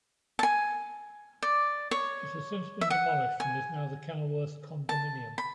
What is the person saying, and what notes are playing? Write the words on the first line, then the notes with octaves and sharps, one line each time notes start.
It has since been demolished and is now the Kenilworth Condominium.
A5
G#5
D5
C#5
E5
F#5
G#5
A5
B5